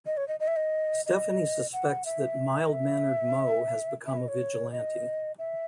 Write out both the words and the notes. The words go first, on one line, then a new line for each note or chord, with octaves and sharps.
Stephanie suspects that mild-mannered Mo has become a vigilante.
D#5
C#5
D#5
D#5
E5
D#5
D#5
F#5
E5
D#5
E5
E5
D#5
C#5
D#5
E5